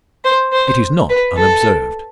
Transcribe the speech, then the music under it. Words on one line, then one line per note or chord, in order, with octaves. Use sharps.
It is not unobserved.
C5
C5
B4
A4